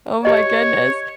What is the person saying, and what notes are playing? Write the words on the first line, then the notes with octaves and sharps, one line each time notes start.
Oh my goodness.
G4 C#5 D#5